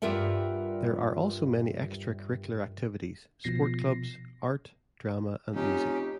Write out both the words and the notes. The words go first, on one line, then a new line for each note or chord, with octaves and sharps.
There are also many Extra-curricular activities, Sport Clubs, Art, Drama and Music.
G2 G3 F4 A#4 E5 F#5
B2 F3 A#6 C7
F1 C#4 D#4 G4